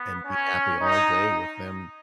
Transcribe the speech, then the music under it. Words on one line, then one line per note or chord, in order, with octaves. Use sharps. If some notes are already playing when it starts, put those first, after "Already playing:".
and be happy all day with them
Already playing: B3
C#4
D#4